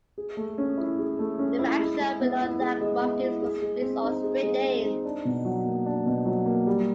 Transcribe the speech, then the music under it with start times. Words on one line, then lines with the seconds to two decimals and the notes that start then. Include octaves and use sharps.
The maps shown below lack markings for streets or street names.
0.18 G#4
0.37 A3
0.58 C#4
0.78 E4
0.99 G#4
1.19 A3
1.39 C#4
1.59 E4
1.79 G#3
2.00 G#3
2.20 B3
2.41 E4
2.60 G#3
2.81 G#3
3.01 B3
3.22 E4
3.42 G#4
3.62 G#3
3.82 C4
4.03 D#4
4.24 G#4
4.43 G#3
4.64 C4
4.84 D#4
5.05 D4
5.25 B2
5.45 F#3
5.65 A#3
5.86 D4
6.06 B2
6.26 F#3
6.46 A#3
6.67 G3